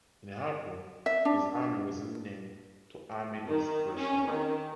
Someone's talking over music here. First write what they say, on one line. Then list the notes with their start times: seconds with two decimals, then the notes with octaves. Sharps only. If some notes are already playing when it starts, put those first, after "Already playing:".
In April, his army was renamed to Army East Prussia.
1.06 E5
1.25 D4
3.46 D#3
3.97 C#4
4.29 D#3